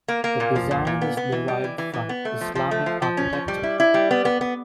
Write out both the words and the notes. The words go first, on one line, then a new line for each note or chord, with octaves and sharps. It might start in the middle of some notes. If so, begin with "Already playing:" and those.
The design is derived from Islamic architecture.
A#3
A#3
A#2
F3
A#2
A#2
B3
B3
E3
G3
E3
E3
E3
B3
A3
F3
F3
A3
F3
F3
C#4
F3
G3
E4
E4
G3
B3
B3
B3